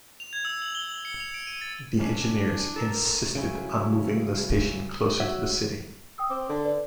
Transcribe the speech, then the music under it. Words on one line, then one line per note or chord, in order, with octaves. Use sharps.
The engineers insisted on moving the station closer to the city.
F7
G#6
E6
F#7
G7
E6
C#7
F7
D7
D#7
A6
E3 C#4 D4
A4 A#4
C#3 F#3 C#4 E4
F#4 C#5 E5
G5 D#6 E6
C4 D6
D3
B4 D5